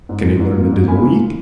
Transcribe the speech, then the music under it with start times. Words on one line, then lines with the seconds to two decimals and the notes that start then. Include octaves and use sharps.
Can he learn it in a week?
0.09 G#2
0.24 E3
0.40 G#2
0.56 A#3
0.72 G#2
0.88 A#3 G#5 B5
1.04 E3